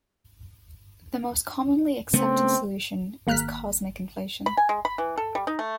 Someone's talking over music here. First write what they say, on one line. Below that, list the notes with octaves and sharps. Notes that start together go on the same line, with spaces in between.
The most commonly accepted solution is cosmic inflation.
C#3 A3 B3 C4
G#1 A#3 A#5 F6 F#6 B6
B5
G#5
G#3
B5
E3
A4
G3
D#4
A3